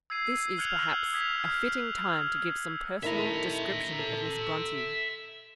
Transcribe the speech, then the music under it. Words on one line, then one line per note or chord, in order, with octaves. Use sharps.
This is perhaps a fitting time to give some personal description of Miss Bronte.
E6 G#6 C7 D#7
F6 F#6 G#6 C#7 F7 F#7
D#6 G#6 B6 F7
F6
E6
D#3 A3 E4 E5 A#5
A4